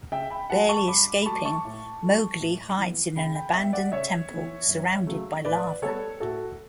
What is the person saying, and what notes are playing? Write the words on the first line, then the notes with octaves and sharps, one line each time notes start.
Barely escaping, Mowgli hides in an abandoned temple surrounded by lava.
C#3 E5 G5
G5 B5
F#3 A3 F#5 A5
A5 C#6
G2 B5 D6
B5
F#3 A3 A5 C#6
A5 C#6
A2
F#3 A3
A2
E3
B3
C#3 G5 B5
G5 B5
G3 B3 E5 G5
D5 F#5
C#3 C#5 E5
E3 B3
F#2
C#3 F#3 A3
A2 B4 D5
G3 B3 A4 C#5
A2 F#4 A4